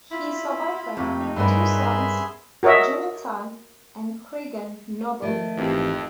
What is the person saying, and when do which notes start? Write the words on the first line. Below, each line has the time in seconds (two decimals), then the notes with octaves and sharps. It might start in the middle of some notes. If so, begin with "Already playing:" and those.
He is survived by two sons, Jonathan and Craigan Noble.
0.11 E4 F4 B5
0.97 F2 C3 A3 A#3
1.21 D#4
1.36 G2 B3 C#4 G#4 A#4 B4 E5 C6
2.63 F#4 A#4 C#5 D#5 E5
5.22 D#3 F3 A3
5.57 G#1 F2 E3 C4 D#4 G4